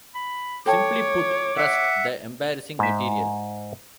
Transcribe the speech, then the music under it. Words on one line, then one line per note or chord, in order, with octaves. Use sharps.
Simply put, trust the embarrassing material.
B5
A4 C#5 G5 A5 D6
E5 F#5
G#2 E5